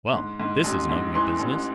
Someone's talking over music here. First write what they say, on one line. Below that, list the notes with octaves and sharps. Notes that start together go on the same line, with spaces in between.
'Well! this is an ugly business!
G#2
G#2
A1
G#2
E3 C6
A1